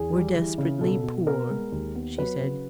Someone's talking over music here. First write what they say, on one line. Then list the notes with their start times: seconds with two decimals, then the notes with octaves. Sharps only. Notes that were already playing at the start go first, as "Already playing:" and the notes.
"Were desperately poor," she said.
Already playing: E2 G#4
0.13 G3
0.36 E3
0.58 C#3
0.81 B2 A4
1.04 B2
1.26 B3 A#4
1.50 G#3
1.72 D#2
1.95 B3
2.18 F#3 B4
2.41 C#3